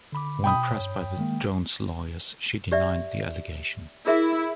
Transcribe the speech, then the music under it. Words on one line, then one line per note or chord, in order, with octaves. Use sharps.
When pressed by the Jones lawyers, she denied the allegation.
D3 B5 D6
B2 G5 B5 D#6
G2 C#5
D#3 G#3 A#3
G4 D5 E5
E4 G#4 A#4 E5